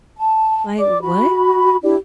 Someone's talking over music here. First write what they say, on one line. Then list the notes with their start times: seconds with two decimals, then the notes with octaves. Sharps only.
like, what?"
0.17 A5
0.78 D5 D6
1.01 F#4 B5
1.83 D4 E4 G4 D5